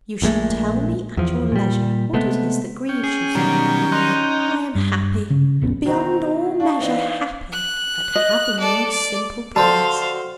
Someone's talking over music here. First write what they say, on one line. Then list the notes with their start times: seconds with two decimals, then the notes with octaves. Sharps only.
"You shall tell me at your leisure what it is that grieves you so; I am happy--beyond all measure happy!--at having your simple promise."
0.22 A#1 A#2 G#3 A3
1.17 E2 F3
1.52 A#2 G3
2.13 C3 G#3 A3 B3
2.89 C#4 G5
3.04 G#4
3.35 B2 D#3 F#3 G3 F#4 A#5
3.92 D#4 C6 F#6 G6
4.75 G2
5.30 C#3
5.62 F1 A#1 B3 C#4
5.85 B2 D#3 C4 F#4 C5 A#5
6.38 E4
6.60 D4 F5 A5 C#6
6.80 E3 C4 D#4 B4 D5
7.52 F#6
8.16 D#5
8.59 A4 D5
8.90 D5
9.56 D3 C4 F#4 C5 F5 A5